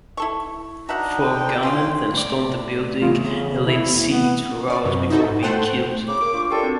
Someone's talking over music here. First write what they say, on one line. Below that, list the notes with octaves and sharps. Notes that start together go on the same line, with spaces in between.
Four gunmen then stormed the building and laid siege for hours before being killed.
E4 A4 C#6
D4 D#4 F#4 E5 F#5 A#5
G5
C#3 C#4 F4 F5 C6
A2 D5
E2 A2 F4
C#3
E4
B3
C#4 D5
F#2 C3
D#4 E4 F#4 A4
G#2
A3 A4 C5 F#5 G5
C#3 D6
A#3 D7
D4 F4 C#6
G4 A4 A#4 D5 G5
C4 D4 F#4